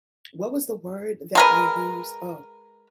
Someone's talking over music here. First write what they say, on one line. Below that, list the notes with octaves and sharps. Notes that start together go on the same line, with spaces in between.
what was the word that you used? Oh
G#3 A#4 B4